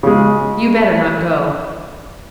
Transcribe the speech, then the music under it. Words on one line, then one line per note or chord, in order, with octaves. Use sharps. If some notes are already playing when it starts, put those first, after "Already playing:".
You better not go.
C#3 G#3